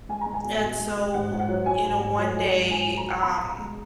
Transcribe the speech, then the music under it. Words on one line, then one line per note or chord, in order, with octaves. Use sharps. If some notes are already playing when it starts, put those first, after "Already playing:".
and so, you know, one day, um,
G#3 G#5
A#5
G#3
G#5
B2
B2
G#3
G#3
G#2 F#5
G#2
F#5
F#3
F#3 G#5
G#2
G#2
F#3
F#3
G#2
G#2 G#5
F#3
A#5
F#3
B2 B5
B2
A#5
G#3